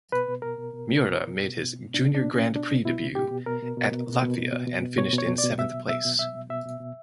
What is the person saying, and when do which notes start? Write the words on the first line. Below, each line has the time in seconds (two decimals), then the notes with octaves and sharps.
Miura made his Junior Grand Prix debut at Latvia and finished in seventh place.
0.12 B2 B4
0.28 B2
0.42 B2 A#4
0.58 B2
0.73 B2
0.89 B2
1.04 B2
1.18 B2
1.34 B2
1.49 B2
1.64 B2
1.79 B2
1.94 B2 D4
2.10 B2 D4
2.25 B2
2.35 C#4
2.40 B2
2.55 B2 D4
2.71 B2
2.85 B2 E4
3.01 B2
3.15 B2 G4
3.31 B2
3.46 B2 A#4
3.62 B2
3.77 B2
3.92 B2
4.07 B2
4.23 B2
4.38 B2
4.53 B2
4.67 B2
4.82 B2
4.98 B2 C#5
5.13 B2
5.18 C#5
5.28 B2
5.38 D5
5.44 B2
5.58 B2 E5
5.74 B2
5.88 B2 E5
6.05 B2
6.19 B2 E5
6.35 B2
6.50 B2 E5
6.66 B2
6.80 B2